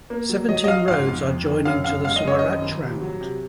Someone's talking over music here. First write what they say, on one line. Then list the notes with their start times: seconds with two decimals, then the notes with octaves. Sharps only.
Seventeen roads are joining to the Swaraj Round.
0.10 A#3
0.29 F#3
0.49 F#3 D#5
0.64 D#5
0.68 F#3 F5
0.87 G#2 F5
1.07 F2
1.27 F2
1.46 D#3
1.65 F#2 F5
1.84 F#2 F5
2.04 G#3 F5
2.16 D#5
2.24 F#2 C#5
2.39 G#1 D#5
2.62 G#1
2.82 C3
3.02 F#3
3.21 C3